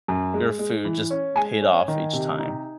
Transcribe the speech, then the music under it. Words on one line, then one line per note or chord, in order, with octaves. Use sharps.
your food just paid off each time.
F#2
G#3
G#3
E3
C#4
G#3 G#5
C#4
D#3
C3
D#4